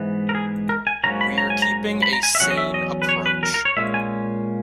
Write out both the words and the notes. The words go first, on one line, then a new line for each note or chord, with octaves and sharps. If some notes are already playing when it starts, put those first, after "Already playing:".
We're keeping a sane approach.
Already playing: G#2 E3 B3
A#4
G#4
A#4
G#5
G#2 F#3 A#3 C#4 A#5
B5
A#5
G#5
A#5
B5
A#5
G#5
E5
E2 C#3 F#3 C#4 F#5
D#5
E5
D#5
B4
C#5
B4
A#4
A#4
C#5
A#2 G#3 C#4 E5
G#5